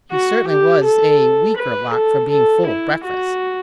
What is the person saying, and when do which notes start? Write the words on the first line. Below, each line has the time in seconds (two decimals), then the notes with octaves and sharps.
He certainly was a weaker lock for being full of breakfast.
0.11 F#4
0.48 G4
0.85 A4
1.58 B4
1.94 A4
2.31 A4
2.67 E4
3.05 F#4